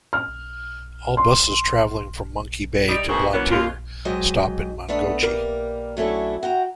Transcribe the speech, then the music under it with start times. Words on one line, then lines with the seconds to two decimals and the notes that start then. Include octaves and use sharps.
All buses travelling from Monkey Bay to Blantyre stop in Mangochi.
0.13 F6
1.17 C6
2.89 G3 D#4
3.09 D2 B2 D#3 F#4 G#4 C5
3.33 E3 F#3 A#3 B3 C#4
3.51 D#2 F4
4.05 G#2 F#3 D#5 G5
4.88 A3 B3 D4 D#4
5.23 G3 A#3 A#4
5.97 F#3 A3 C#4 D4 E4
6.43 F#4 G5 A#5